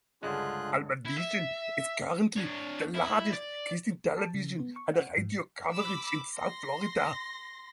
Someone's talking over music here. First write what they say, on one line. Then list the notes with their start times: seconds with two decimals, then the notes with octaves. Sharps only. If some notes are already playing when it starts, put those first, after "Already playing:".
Almavision is currently the largest Christian Television and radio coverage in South Florida.
0.23 C#2 G2 D3 G#3 F4 G#4 F#6
1.05 E4
1.18 E5
2.36 D4 C#5
2.94 E4
3.33 D5
4.17 A5
4.34 C#3
4.60 B3
4.76 C#6
4.94 F#5
5.17 G#2
5.30 C#7
5.70 B5 D6 E6
6.35 C6 A#6